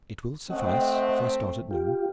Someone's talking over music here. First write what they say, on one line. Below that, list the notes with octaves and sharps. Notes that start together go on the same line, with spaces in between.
"It will suffice if I start at noon."
A3 C4 D#5 F#5
F4 G4